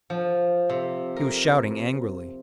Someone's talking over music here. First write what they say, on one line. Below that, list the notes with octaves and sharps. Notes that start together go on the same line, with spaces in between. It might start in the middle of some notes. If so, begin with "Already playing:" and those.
He was shouting angrily.
F3
C3
A#4